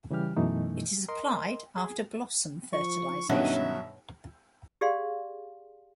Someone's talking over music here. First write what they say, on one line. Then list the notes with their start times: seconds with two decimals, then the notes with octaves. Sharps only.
It is applied after blossom fertilization.
0.11 C#3 E3 G3 G4 F6
0.37 F#2 B2 E3 A3 D#4
1.08 A#4 D#5 C6
1.77 G#4
2.73 F3 C#6
3.29 G2 B2 D#3 F#3 C#4 E5
4.81 G4 G#4 D5 F5 C6